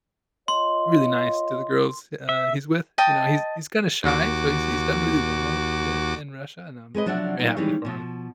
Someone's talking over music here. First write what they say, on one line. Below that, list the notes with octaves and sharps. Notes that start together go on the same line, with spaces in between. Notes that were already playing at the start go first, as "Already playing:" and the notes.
really nice to the girls, uh, he's with, you know? He's he's kinda shy, so he's he's done really well, eh, in Russia, and I'm I'm very happy for him,
F4 C#5 D#5 C6
E5
D#5 G5 A5
D#2 F#4 D6
G#3 G#4 B4 D#5
F3 F#3 D4 D5 E5 F#5
F#3 D#4
D#3 E3 G3 G#3 C#4
B2 F3